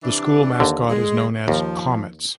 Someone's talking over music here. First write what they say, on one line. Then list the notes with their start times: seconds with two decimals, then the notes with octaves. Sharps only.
The school mascot is known as "Comets".
0.03 C3 E3 D4
0.60 D#2 D3
0.90 G#3
1.48 D#2 F3